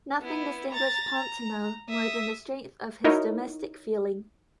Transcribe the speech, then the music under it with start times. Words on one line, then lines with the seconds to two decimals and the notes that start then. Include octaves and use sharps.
Nothing distinguished Pontano more than the strength of his domestic feeling.
0.21 B3 E4
0.71 A#5 A6
1.15 A#5
1.89 E5 D#6
3.04 D#4 E4 F#4 A#4 C#5 D#5